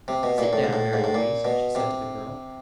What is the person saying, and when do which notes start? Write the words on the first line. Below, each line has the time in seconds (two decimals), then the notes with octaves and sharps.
"Sit down, Mary Louise," she said to the girl.
0.08 C3
0.23 B2
0.38 A#2
0.53 A2
0.64 G#2
0.73 A2
0.93 G#2
1.04 A2
1.14 A#2
1.45 B2
1.75 C3